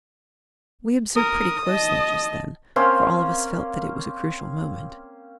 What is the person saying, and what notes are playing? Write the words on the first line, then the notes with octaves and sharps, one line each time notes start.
We observed pretty closely just then, for all of us felt that it was a crucial moment.
A#4 D#6
D#5 A5
A#3 C4 C#4 F5